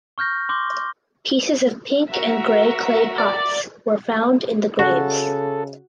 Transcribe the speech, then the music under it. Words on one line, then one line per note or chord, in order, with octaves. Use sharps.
Pieces of pink and gray clay pots were found in the graves.
C#6 F6 G6 A#6
C6 D6 G6 G7
F#4 A#4 E5
D5
C#3 F#4 A4